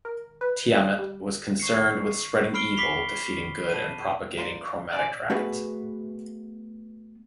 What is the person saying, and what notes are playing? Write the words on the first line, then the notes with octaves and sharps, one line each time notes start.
Tiamat is most concerned with spreading evil, defeating good, and propagating chromatic dragons.
A#4
B4
C#3
G3
C#6 C7 C#7
B5 F6 C7 D7 G7
B5 D6 B6 C7 F7 G7
A5 D#7
A#3 C5 D5
C3 A#3 D4 F4 D5 G#5
A3 B3 F#4 G#4 B4 E5